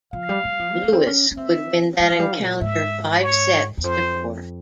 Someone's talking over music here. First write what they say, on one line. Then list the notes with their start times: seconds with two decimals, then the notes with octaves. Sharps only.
Lewis would win that encounter five sets to four.
0.13 F3 F5
0.29 G3
0.44 G3
0.59 F3
0.75 C4
0.84 A#3
0.93 C4
1.07 C#4
1.31 C#4
1.37 C4 E5
1.99 G#3 F5
2.10 F3
2.19 G3
2.40 A#2
2.60 G#2 E5
3.23 C#5
3.77 E2
3.84 F2 C5